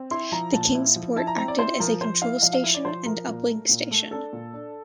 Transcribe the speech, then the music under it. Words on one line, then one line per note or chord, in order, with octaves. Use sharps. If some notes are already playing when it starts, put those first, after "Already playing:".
The "Kingsport" acted as a control station and uplink station.
Already playing: C4
E4 C6
F3 A#5
A#2 A5
E4
F3
E4 A5
A#5
C4 A#5
D5
E4 C5
F3 A#4
F3 C5
E4 F5
F3 F5
F5
E4 E5
D5
F3 C5
F3 A#4
A#2
A3
A#2
A3
D4 A4
A#2
D4